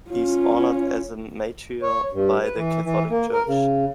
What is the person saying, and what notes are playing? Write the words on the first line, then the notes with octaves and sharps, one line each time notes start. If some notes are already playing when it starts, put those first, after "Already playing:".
He is honored as a martyr by the Catholic Church.
C#4 F4
C#5
G2
B4
E3
E3
A#3
A#4
C#3